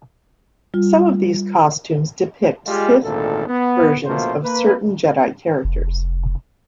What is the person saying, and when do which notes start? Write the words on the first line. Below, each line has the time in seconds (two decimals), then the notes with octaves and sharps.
Some of these costumes depict Sith versions of certain Jedi characters.
0.74 G3 F4
2.67 G3 G#3 F4
3.03 G#1 D2 A#2 D#3 A4
3.47 B3
4.06 A#1 B2 A3 A#3 F4 C5
4.43 A#3 B4
5.65 F1